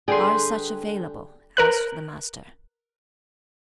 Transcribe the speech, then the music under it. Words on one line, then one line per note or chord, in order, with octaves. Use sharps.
"Are such available?" asked the Master.
D3 G3 G4 G#4 B4 C6
A#4 B4 F#6